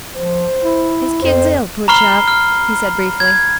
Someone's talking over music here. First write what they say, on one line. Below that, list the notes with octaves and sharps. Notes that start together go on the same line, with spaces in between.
'His kid's ill, poor chap,' he said briefly.
F3 C5
E4
F2 C5
A#5 B5 C#6 F6 C7 G7
F6
G#6